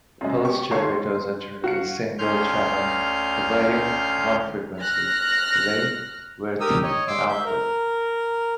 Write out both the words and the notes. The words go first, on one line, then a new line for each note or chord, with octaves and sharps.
Pulse generators are generally single-channel providing one frequency, delay, width and output.
F#2 G#3 D#5
G4 C#6
D#2 G#2 A4 C#5 C#6 C7
C6
F#4 F5 C#7
D2 C#4 C6 F6 G6
F6 F#6 A#6
G4 A#4 D#6 E6
C#5 D#5
C6 D6 E6
E5 G6
A#4